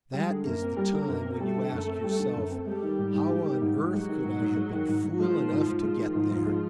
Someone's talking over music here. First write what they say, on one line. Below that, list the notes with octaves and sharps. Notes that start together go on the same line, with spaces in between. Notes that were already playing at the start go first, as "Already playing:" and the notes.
That is the time when you ask yourself, How on earth could I have been fool enough to get there?
G3 G#3 G#4
D3
F#2 A#3 A#4
C4
G3
D3
F#2
C4
G3 A3 A4
D3
F#2
C4
G3
D3
F#2
C4
G3 G#3 G4
D#3
G#2
G#2
G#3
D#3
G#2
G#2
F#3 G#3 F#4
D#3
G#2
G#2
G#3
D#3
G#2
G#2
F3 G#3 F4
D#3
G#2
G#2
F3 G#3 F4
D#3
G#2
G#2
G#3